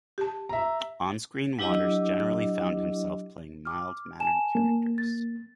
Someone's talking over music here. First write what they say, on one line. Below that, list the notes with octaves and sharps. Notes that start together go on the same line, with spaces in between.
On screen Waters generally found himself playing mild mannered characters.
G4 A5
E5 A#5
F#3 D4 E4 G4 D#5 D6
D6 F6
G#5 A5 E7
A#3
A6